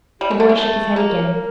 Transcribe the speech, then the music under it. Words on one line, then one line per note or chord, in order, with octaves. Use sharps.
The boy shook his head again.
G3 G4
G#3
D3
G#3
A3
A#3 G#4
A#4
C#5
A#4